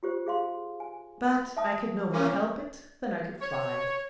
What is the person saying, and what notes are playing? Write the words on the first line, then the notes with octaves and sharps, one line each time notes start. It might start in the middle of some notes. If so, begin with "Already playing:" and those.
But I could no more help it than I could fly.
F4 G4 C5
G#4 F5 C6
G#5
E5 A5 D#6
A#3 C#4
C#5